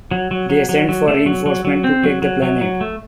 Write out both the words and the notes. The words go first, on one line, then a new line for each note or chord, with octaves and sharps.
They send for reinforcements to take the planet.
F#3
F#3
F#3
F#3
F#3
A3
F#3
F#3
F#3
C4
F#3
F#3
F#3
F#3
A3